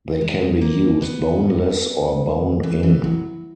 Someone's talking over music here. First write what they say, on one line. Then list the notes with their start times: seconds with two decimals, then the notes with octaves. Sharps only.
They can be used boneless or bone-in.
0.21 G#3
0.61 A#3
1.02 B3
2.63 E3
2.83 E3
3.04 F#3